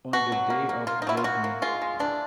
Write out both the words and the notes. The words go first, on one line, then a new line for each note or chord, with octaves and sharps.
On the Day of Judgment.
B2 F#4
F#3
A#3
A#3
A#3 F4
D#4
F#3 E4
F4
A#3 F#4
A#3
G#3 F4
G#3
E3 D4